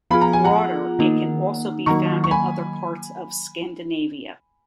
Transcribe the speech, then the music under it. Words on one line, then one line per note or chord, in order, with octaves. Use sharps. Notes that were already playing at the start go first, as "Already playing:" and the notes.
Broader, it can also be found in other parts of Scandinavia.
F3 B3 F4 G#4 B5
A#5
G#5
F#5 A#5
D#3 A#3 D#4
D#3 F#3 A#3 A#5 C#6
C#6
G#5 B5